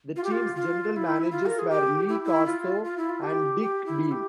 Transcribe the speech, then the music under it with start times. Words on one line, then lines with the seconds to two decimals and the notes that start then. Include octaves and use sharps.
The team's general managers were Lee Corso and Dick Beam.
0.16 F4
0.24 G4
0.32 F4
0.56 F4
0.93 F4
0.96 E4
1.31 F4
1.46 A#4
1.59 G#4
1.70 G4
2.09 E4
2.25 E4
2.46 F4
2.85 F4
2.98 E4
3.09 F4
3.22 G4
3.62 G4
3.86 E4
4.12 G4